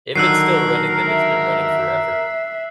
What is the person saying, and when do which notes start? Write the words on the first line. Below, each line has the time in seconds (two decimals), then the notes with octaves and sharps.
if it's still running, then it's been running forever.
0.16 D3 D#3 F#3 A#4 E6 F#6 C7
1.09 E5